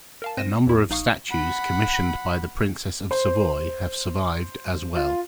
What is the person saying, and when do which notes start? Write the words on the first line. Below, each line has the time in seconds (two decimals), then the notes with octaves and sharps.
A number of statues commissioned by the Princess of Savoy have survived as well.
0.22 A#4 F5 A5
0.37 C4 C5 A#6 D#7 E7
0.67 E2 E4
0.90 A#1 D#4 F5 C#6 D#6
1.30 F#5 B5
3.11 C5
4.96 F4